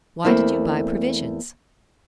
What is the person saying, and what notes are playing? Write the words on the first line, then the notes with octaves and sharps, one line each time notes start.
"Why did you buy provisions?"
E2 A3 A#3 C4 E4